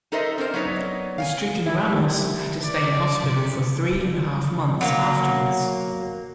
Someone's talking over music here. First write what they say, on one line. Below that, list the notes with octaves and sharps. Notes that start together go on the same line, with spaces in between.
The stricken Ramos had to stay in hospital for three-and-a-half months afterwards.
D#4 A4 A#4 C5 D#5 E5
C4 D4 A#4 C5
F#3 B3 D#4 C#5 D5
F5 G5 G#5
C2 E4 G4
D5
C3
F#3 A#3